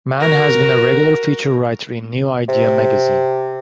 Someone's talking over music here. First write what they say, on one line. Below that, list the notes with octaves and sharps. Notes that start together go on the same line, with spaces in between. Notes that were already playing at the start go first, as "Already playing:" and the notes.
Mann has been a regular feature writer in "New Idea" magazine.
F#4 A#4
C3